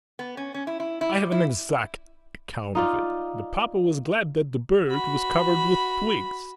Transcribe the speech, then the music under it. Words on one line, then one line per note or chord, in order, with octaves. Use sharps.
I have an exact account of it. The papa was glad that the birch was covered with twigs.
B3
C#4
C#4
E4
E4
E4
G3
E4
D#4 F4 D5
F#4 B5